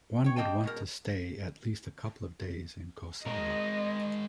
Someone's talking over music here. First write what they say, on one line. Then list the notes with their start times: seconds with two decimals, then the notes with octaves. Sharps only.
One would want to stay at least a couple of days in Cosala.
0.24 C#5 G5
0.36 A#3 C4 D#5 G5 A5
0.64 B2 G#3 A#4
3.26 G#3 A#4 D#5